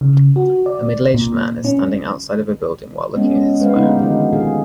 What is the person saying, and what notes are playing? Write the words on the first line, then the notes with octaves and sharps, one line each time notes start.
A middleaged man is standing outside of a building while looking at his phone.
C#3
F#4
D5
A#2
C#4
G#3 B3 C#4
G#3 B4 C5 F5
D3 G#3 A3 B3 D#4 E4
G4
D3 D#3 F3
A#2 G#4 F5